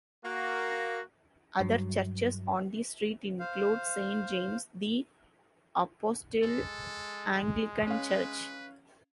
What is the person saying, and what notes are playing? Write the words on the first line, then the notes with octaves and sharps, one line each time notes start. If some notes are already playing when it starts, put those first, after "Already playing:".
Other churches on the street include Saint James the Apostle Anglican Church.
A#3 F#4
G2 F#3
C5 F5
G#3 A4
C#4 B4 F5